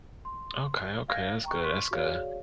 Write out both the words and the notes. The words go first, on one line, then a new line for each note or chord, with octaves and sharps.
Okay, okay, that's good, that's good,
C6
F5 G#6 A#6
G5 A#5 C#6
C6 C#6 B6
F#4 G#4 C#5 D5 F5